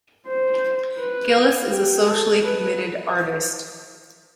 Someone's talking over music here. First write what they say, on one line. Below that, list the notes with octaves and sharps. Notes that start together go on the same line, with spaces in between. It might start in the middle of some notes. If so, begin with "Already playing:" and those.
Gillis is a socially committed artist.
C5
B4
G4
A4
B4